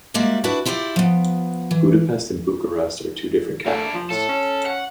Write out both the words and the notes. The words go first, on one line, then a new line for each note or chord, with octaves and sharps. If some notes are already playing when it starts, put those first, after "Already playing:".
Budapest and Bucharest are two different capitals.
G3 G#3 A#3 F#4 D5 E5
D4 E4 F#4 B4 D5
E4 F4 G4 B4 D5
F3 B3
E3
A3 A#3 D4
F3
A2 A4
C#4
F#5